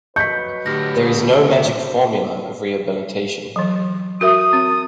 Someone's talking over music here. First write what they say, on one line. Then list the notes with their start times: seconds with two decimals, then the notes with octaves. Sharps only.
There is no magic formula of rehabilitation.
0.16 F#3 F#4 B4 D#5 C#6 G6 B6 C#7
0.66 A2 D3 G4 F6 A#6
3.56 E3 F#3
4.21 F#4 A#4 E5 D#6
4.53 C4